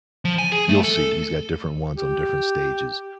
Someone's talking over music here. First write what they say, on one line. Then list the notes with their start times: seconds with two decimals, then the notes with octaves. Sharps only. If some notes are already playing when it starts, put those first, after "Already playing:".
You'll see, he's got different ones on different stages.
0.25 F3
0.38 G#5
0.52 G#4
0.69 A3
0.84 A4
1.97 G4